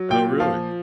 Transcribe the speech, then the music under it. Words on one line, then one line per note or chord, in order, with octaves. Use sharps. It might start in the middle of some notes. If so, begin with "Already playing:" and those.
Oh, really?
Already playing: F#3
A#2 G5
F3 F5